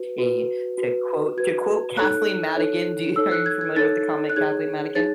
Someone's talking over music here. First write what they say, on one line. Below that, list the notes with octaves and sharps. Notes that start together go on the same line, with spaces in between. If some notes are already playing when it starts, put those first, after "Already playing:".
a to quote to quote Kathleen Madigan do you are you familiar with the comic Kathleen Madigan?
Already playing: F#4 B4
F#4 B4
F#4 B4
F#4 B4 G#6
D#4 A4 C#5 F#6
D#4 A4 C#5
D#4 A4 C#5 E6
F#6
G#6
G#6
D#4 A4 C#5 A6
F#6
D#4 G#4 C#5 G#6
D#4 G#4 C#5 A6